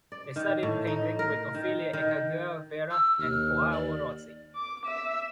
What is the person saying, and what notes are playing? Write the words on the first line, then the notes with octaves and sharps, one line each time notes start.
They studied painting with Ofelia Echagüe Vera and Joao Rossi.
D5
D#3
A2
D#4
A#4
D#3
D#3
E6
D#2 F6
D5
D6
E5